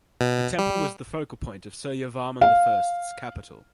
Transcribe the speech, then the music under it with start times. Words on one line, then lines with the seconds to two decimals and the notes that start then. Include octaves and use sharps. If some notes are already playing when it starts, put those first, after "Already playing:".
The temple was the focal point of Suryavarman the First's capital.
0.21 B2
0.58 G3
2.41 F5